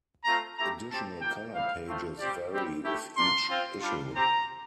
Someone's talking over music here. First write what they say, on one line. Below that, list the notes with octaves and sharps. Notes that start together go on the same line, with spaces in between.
Additional color pages vary with each issue.
A3 C4 F4 A#5
A3 E4 G4 A#5
C4 G4 A5
A#3 F4 G5
G3 C4 E4 F5
A3 C4 F4
G3 C4 G4 D5
G3 C4 G4
A3 E4 G4
A#3 D4 F4 C6
C4 F4
G3 D4 F4
C4 G4 A#5